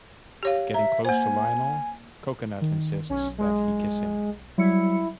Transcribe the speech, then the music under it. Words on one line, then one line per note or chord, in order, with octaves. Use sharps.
Getting close to Lionel, Cocoanut insists that he kiss him.
G4 C#5 F5
E5 A#5
A#3 C5 G#5
D#3
B1 C#4
G#3
F#3 G3 E4 C#7